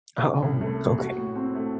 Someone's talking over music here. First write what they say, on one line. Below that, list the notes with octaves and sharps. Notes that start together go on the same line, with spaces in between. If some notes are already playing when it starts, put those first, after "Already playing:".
Oh, okay.
C#4
C2
A3
A#2
F#4
A2
C4
A3